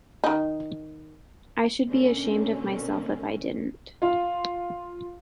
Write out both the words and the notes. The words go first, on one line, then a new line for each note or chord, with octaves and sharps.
I should be ashamed of myself if I didn't.
D#3 D#4
B2 D3 A3 A#3 C4 C#4
F4 F5